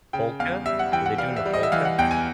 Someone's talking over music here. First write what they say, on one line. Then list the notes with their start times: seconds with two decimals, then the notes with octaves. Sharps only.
Polka? Were they doing the polka?
0.13 C#3 G5
0.40 E2 F5
0.66 G3 E5
0.79 F#5
0.92 E3 G5
1.06 F#5
1.18 G3 F5
1.37 E5
1.46 G3
1.54 D#5
1.63 E5
1.72 E3 F5
1.85 F#5
1.98 E2 G5
2.11 G#5